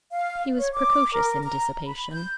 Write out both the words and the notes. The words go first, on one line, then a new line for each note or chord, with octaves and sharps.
He was precocious in dissipation.
F5
C#5
D6
A#4
A#5
B5
G6